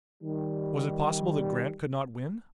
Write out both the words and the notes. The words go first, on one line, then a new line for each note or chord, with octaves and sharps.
Was it possible that Grant could not win?
D#3 G3